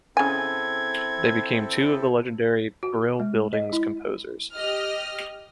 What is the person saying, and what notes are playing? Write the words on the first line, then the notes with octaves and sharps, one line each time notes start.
They became two of the legendary Brill Building's composers.
C#3 C4 E4 A4 G#5 G#6
F#4
G#3
D#5
E4
G4 D#5 F6